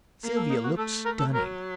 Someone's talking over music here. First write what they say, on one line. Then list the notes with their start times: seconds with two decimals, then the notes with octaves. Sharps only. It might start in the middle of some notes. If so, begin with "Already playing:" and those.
Sylvia looked stunning.
0.23 A#3
0.36 A4
0.50 D#4
0.64 F#4
0.78 A3 A4
1.05 A#4
1.19 A4
1.34 F#3 A#4